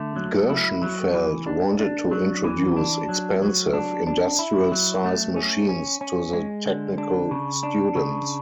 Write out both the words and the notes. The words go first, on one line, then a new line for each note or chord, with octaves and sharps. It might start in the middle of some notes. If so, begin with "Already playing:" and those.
Gershenfeld wanted to introduce expensive, industrial-size machines to the technical students.
Already playing: D3 A3
F#3
E4
F#3
E3
D4
D4
F#3
E3
D4
F#3
F#3
D4
D4
E4
F#3
A3
C#4
C#4
C#4
G#3
D3
D4
C#3
D4
C#3